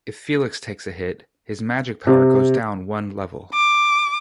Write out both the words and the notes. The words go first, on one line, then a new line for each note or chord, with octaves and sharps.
If Felix takes a hit, his magic power goes down one level.
C3
D6